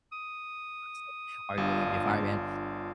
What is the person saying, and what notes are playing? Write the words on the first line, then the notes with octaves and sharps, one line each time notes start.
honestly, are you really gonna be a fireman?"
D#6
G1 D4 F4 F5